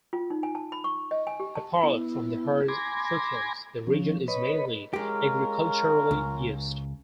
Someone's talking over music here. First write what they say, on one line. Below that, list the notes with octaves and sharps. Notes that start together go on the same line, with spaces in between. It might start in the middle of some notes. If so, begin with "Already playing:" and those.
Apart from the Harz foothills the region is mainly agriculturally used.
F4
D#4
G#5
A5
B5
C#6
D#5
G#5
G4
A5
B3 E4
G#5 B5 C6 D6 G#6 A#6
F3 C#4
B4 C#5 D#5 B5
G#3 C#4 F4 G4 A#4
C#2